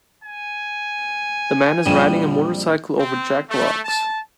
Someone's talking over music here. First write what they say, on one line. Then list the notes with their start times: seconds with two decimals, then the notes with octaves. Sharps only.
The man is riding a motorcycle over jagged rocks.
0.24 G#5
1.86 A#1 F2 F3 G3 D#7 E7
2.98 C4
3.48 A3
3.85 A5